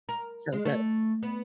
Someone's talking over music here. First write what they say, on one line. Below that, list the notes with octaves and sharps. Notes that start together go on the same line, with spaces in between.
So good.
A#4
G#3
A3
B3